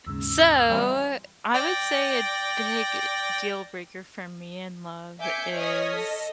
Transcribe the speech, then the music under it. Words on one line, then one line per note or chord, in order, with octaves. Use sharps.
So, I would say a big deal breaker for me in love is
D#2 G#2 C#3 E6
E3 G3 C4 F5
D5 G5 A#6
E5 G#5 D6 G6 B6 C#7
C#5 D#5 C#6 D#6 F6 B6
A4 D#5